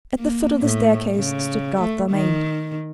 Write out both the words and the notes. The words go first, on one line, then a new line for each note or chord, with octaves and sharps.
At the foot of the staircase stood Garth Dalmain.
A#3
A2
C#3
A3
D#3